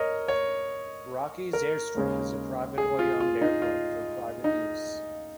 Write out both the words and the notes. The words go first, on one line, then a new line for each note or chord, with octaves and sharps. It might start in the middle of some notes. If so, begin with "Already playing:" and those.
Rockey's Air Strip is a privately owned airport for private use.
Already playing: A#4 C#5 D#5
C#5
A#4
D#2 C#3 G#3 C#4
G#4
F4
F4
D#4
F4
D#4